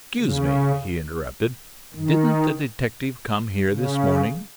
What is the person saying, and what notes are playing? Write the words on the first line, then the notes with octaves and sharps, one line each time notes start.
"Excuse me," he interrupted, "didn't a detective come here this morning?"
C#3
D#3
C#3